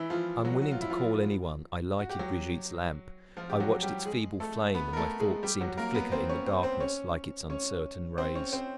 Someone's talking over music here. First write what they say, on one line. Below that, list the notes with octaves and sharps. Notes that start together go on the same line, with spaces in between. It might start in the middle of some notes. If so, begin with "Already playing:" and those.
Unwilling to call any one, I lighted Brigitte's lamp; I watched its feeble flame and my thoughts seemed to flicker in the darkness like its uncertain rays.
Already playing: E3 E4
F3 F4
F#3 F#4
F#4
F4
E4
F3 F4
F#4
G4
F#3 F#4
F3 F4
G4
F#3 F#4
G3 G4
G#3 G#4
A3 A4
B3 B4
A#4
A3 A4
G#3 G#4
G3 G4
F#3 F#4
A#3 A#4
B3 B4
C4 C5
C#4 C#5
C4 C5
C4 C5
C#4 C#5
C#4 C#5
C4 C5
C#4 C#5
C4 C5